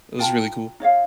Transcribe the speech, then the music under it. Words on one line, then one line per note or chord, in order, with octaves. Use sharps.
was really cool.
F4 G5 A5 A#5
D#4 C#5 D#5 F5